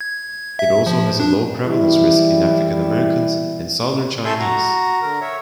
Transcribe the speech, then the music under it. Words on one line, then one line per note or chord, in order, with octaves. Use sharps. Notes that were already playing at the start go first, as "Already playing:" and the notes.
It also has a low prevalence risk in African Americans and southern Chinese.
G#6
E5
F3
D4
E3 G3 E4
A3 A4 E5 G#5 C6 G6
F#4 A#5
D3 A#4
C#5 E5